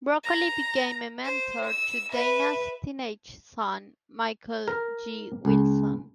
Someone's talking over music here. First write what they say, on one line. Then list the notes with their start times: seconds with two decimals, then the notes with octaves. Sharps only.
Broccoli became a mentor to Dana's teenage son, Michael G. Wilson.
0.24 A#5
1.25 C5
1.66 E6
2.13 B4 E5
4.68 A#4
5.45 C#2